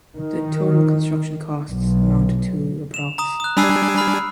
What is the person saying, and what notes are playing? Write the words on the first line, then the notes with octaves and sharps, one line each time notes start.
The total construction costs amounted to approx.
D#3
B1
E7 F7
A#5 D#6 E7
D#6 F#6
G3 D4 G#5 B5 E6 C7
B5 F6